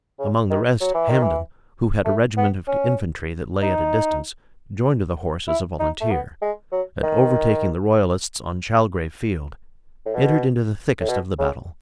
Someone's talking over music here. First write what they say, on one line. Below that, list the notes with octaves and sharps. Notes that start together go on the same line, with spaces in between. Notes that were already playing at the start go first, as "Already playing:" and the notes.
Among the rest Hambden, who had a regiment of infantry that lay at a distance, joined the horse as a volunteer; and overtaking the royalists on Chalgrave field, entered into the thickest of the battle.
C#3
D#3
F#3
E3
D#3
E3
A3
B3
C#4
D#4
E4
D#4
A3
B3
G#3
F#3
D#3
A2
B2
A2
B2
C#3